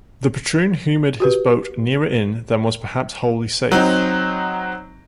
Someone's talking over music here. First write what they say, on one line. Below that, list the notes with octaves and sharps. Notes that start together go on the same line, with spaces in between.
The patroon humored his boat nearer in than was perhaps wholly safe.
F#4 G4 B4
F#3 C4 D#4